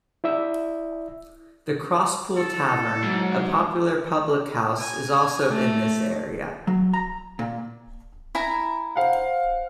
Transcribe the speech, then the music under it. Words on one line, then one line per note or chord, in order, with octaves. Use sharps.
The Crosspool Tavern, a popular public house is also in this area.
E4 D5 E5
E4 A4
G#2 F#3
G#5
A3
F#3
A#5
A#2
E4 G#5 A#5
C5 F5 F#5